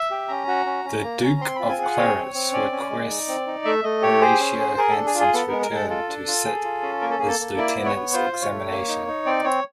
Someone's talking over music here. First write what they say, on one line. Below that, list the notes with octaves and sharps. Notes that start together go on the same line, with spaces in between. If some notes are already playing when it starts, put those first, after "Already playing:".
The Duke of Clarence requests Horatio Hanson's return to sit his lieutenant's examination.
Already playing: E5
G4
C#4 A#5
F#4
C#4
C#4
A#3
C#4
C4 C6
F4 B5
G#5
G#4 F#5
C4 C#5
C4
C4
C#4 D5
C#4
G#3
D#4
C4
D#4
A3 E5
A3 D#5
G4 C#5
G#4 C5
C#4
G#4
G#4 A#4
D4 A4
G#4
F4
G#4
B3 A4
G#3 A#4
A#4
G#3 A4
F4 A4
D4
F4
G#4
F4
C#4
A#3 A#4
A4
A#3 G#4
A4
A#3
E4 D5
B3
C#5
B3
F4 C5
F4
C#5
A3
A#3
D#4
D#4
C4 D5
C4 C#5